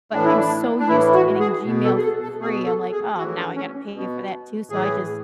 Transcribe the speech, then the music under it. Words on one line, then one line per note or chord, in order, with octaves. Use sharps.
But I'm so used to getting Gmail for free, I'm like, "Oh, now I gotta pay for that too," so I just
A2 E3 D4
E4
D4
D4
A2 E3 E4
F#4
G#4
B2
A4
G#4
A4
A4
B2 G#4
A4
G#4
A2 E3 F#4
D4
C#4
B2
A2 E3 G#4